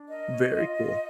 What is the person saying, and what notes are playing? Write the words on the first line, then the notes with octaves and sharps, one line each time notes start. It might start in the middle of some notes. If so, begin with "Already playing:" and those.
Very cool.
Already playing: D4
A#4 D#5
C#5
F4
F4